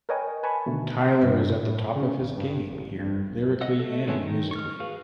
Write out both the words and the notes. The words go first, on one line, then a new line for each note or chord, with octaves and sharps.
Tyler is at the top of his game here lyrically and musically.
A#4 B4 C#5 D#5 G5 G#5
B4 G#5 A5 B5 C#6
B2 D3 D#3 A3
C3
G2
A2
C#3
G#1
G2
A1
G2
D1
D#5 F#5 E6
A3 A4
D#3 G#3 B3 C#4 A4
D#3
C#6 F6
F#4 G#4 B4 F5